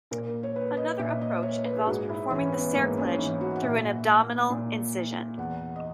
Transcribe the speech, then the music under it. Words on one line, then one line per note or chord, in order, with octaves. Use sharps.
Another approach involves performing the cerclage through an abdominal incision.
A#2 A#4
C#5
B4
D#5
A#2 E5
D#5
C#5
B4
G#4
G#2 F#4
E4
E3 C#4
B3
G#2 A#3
C#4
E3 D#4
F#4
F#5
A#2 E5
A#2
E2 F#5
D#5